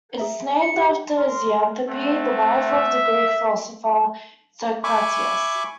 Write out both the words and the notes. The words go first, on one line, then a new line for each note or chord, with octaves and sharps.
It is named after Xanthippe, the wife of the Greek philosopher Socrates.
G#4 E5 A#5
C#7
G4 F#5
A#4 C6
A3 C4 F#5
E5
E5 G#5 B5 C#6 D6